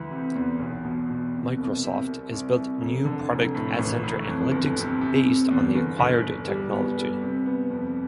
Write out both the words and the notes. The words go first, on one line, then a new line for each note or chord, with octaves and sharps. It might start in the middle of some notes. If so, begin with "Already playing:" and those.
Microsoft has built new product AdCenter Analytics based on the acquired technology.
Already playing: D2 E3
C3
E2
B1
B2
B2
C3
C2
C3
C2
C2
C2
F1
D3
F1
A2
A1
A2
F2
G1
C3
C3
C3
E2
G1
G1
G1
G3
B3
G3
C3
B3
F2